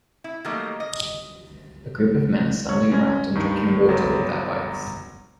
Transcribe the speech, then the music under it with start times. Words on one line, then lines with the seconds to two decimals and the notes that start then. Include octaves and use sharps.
A group of men are standing around and drinking water with their bikes.
0.24 E4
0.45 D#3 F#3 G3 A3 A#3 D#4
0.80 D#5
2.69 C#5
2.92 C#4 G#6
3.35 G2 D#3
3.89 G1 F#3 A#4